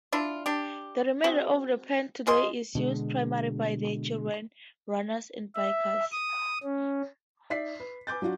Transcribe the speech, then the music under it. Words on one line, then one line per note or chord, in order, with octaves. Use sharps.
The remainder of the path today is used primarily by children, runners and bikers.
D4 E4 F4
D4 G4
C4 F#4 G#4
F3 G#4 D#5 C6
B2 D3 G#3
E5
D#6
C#4
D#4 D5 E5 B6 C7
B4
B4 G#5 D6 G6 A6
F#3 D4 F4 F#4